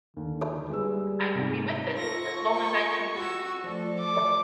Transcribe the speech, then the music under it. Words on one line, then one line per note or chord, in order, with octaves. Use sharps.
I will be with it as long as I can breathe.
D#2 D3
G3 G#3 B4 E6
G#2 C3
F4 A4 A#4 C#6 A#6
D#5 G5 B5
F#4 E6
F3 A3 A4 D5
D6